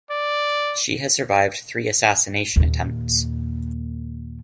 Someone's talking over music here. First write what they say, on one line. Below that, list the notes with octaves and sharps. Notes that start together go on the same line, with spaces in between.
She has survived three assassination attempts.
D5
D#2 A#2